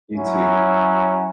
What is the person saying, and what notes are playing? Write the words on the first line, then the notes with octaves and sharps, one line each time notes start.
You, too.
F#3 C#4 E4